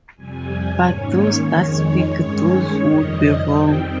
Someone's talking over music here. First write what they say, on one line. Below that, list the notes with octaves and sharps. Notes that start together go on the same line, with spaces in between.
But those that speak thus would be wrong.
F2 C3 G3 G#5
G#2 D#3 A#3 C#4 C#5
F2 D#3 G#3
G2 D#3 G#3 C#4 C#5
F2 C3 D#3 G3 D#5
F2 D#3 G3 C4 G5